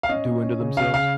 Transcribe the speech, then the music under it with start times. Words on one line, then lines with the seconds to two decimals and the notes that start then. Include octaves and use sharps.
doing to themselves.
0.03 F5
0.09 C#4 D#5
0.26 C#4
0.43 C#4
0.60 C#3
0.77 C#3 F5
0.94 C#3 F5